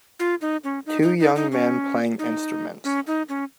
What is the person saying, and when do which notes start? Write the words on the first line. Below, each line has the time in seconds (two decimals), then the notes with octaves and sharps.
Two young men playing instruments.
0.19 F4
0.41 D#4
0.64 C#4
0.86 D#4
1.02 D#4
1.20 D#4
1.36 D#4
1.52 C#4
2.19 D#4
2.84 C#4
3.07 D#4
3.29 C#4